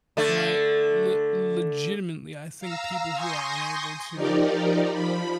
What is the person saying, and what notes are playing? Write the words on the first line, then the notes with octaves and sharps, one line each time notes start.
And I le legitimately, I think people who are unable to
D3 A3
F5 A#5 E6
G#5 C6 C#6 D#6 G6 A#6
F3 D#4 G4 A#4 D5
F3 B5